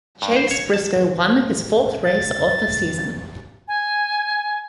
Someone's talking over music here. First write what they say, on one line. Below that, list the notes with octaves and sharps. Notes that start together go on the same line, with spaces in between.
Chase Briscoe won his fourth race of the season.
G2
C5
C#5
A5
A6
G#5